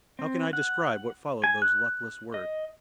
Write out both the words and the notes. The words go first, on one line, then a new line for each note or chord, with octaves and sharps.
How can I describe what followed those luckless words?
C4
F#5
G#5
F#6
D#5